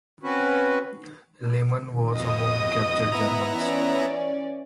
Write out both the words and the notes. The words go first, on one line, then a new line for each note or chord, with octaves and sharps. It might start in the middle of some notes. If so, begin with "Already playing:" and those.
Lehmann was among the captured Germans.
C4 C#4 F#4 B4
F2 B2 D#5 D#6
B3 E4 A#5
E3 C#4 D5